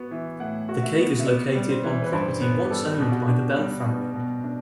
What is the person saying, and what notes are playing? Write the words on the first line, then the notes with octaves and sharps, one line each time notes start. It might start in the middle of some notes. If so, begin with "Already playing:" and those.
The cave is located on property once owned by the Bell family.
Already playing: B3 F#4
E3
A2 F#5
F#4
F#5
E5
B3
E5
B3 D5
G3
C5
E3
B4
G2 C5
B3 B4
G4
G3 A4
B2 G4
F#4
D4 G4
G3
B2
B2
D4